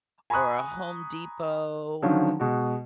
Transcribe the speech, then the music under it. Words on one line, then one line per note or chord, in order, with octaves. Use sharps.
or a Home Depot
G#5 A#5 B5 C#6 D#6 F#6
D3 D#3 F3 F#3 C#4
B2 G#3 F#4